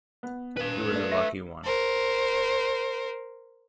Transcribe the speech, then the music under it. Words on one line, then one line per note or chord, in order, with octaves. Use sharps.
He was a lucky one.
B3
D#1 B4 F5
A3 A#3 D4
A3 A#6
A#4 C5